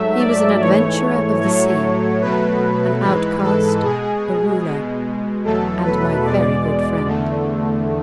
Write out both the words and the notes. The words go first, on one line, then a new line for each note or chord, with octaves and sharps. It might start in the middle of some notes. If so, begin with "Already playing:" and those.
He was an adventurer of the sea, an outcast, a ruler--and my very good friend.
Already playing: G#2 F#3 A3 E5
D5
G#2 E3 A3 C#5
A2 F#3 A3 C#5
B2 F#3 A3 B4
G#2 E3 G#3 B4
A4
B2 G#3 G#4
B2 G#3
E2 B2 F#3 A3 A4
B4
E2 B2 G#3 D5
E2 D3 A3